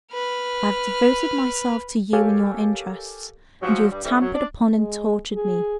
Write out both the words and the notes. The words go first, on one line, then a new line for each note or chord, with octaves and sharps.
I have devoted myself to you and your interests, and you have trampled upon and tortured me.
B4 F6
G4 A4 A#4 C#5 F5 G#5
G#2 F3 F#3 C#4 G4
G2 G3
G2 E3 G3 A3 C4
F#2 F#3
D4 D5
G#3
G#4